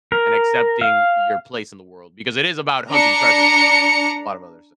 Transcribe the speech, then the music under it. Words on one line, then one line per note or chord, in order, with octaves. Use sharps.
and accepting your place in the world, because it is about hunting treasure, but it is a lot of other things.
A#4
F5
D4 A#5 C#7